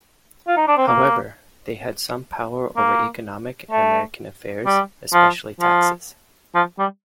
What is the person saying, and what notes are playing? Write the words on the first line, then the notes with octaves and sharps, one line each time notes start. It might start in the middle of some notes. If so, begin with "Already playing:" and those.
However, they had some power over economic and American affairs, especially taxes.
F4
D#4
D4
C4
A#3
A#3
A3
G3
F3
F3
F3
G3